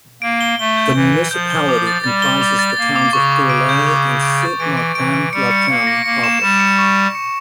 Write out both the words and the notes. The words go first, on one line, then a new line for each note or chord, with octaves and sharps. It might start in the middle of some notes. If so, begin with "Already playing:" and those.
The municipality comprises the towns of Deurle and Sint-Martens-Latem proper.
A#3 D7
G7
A3 G7
G6
E3 G6
G7
F3 G6
G7
D6
A6
G3 A6
G7
D6
A6
A#3 A6
D6
C#3 C#6
C#6
D7
G6
D6
D6
D6
A6
E3 D7
D7
E3 D7
D7
G3 C#7
C#7
A#3 C#7
A#6
A#3 C#7
E7
G3 E7
C#7
C#6
A#6
C#7